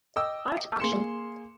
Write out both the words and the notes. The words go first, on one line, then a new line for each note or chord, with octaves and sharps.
Art Auction.
D#5 G5 D6 E6
A#3 G#4 C6 C#7 E7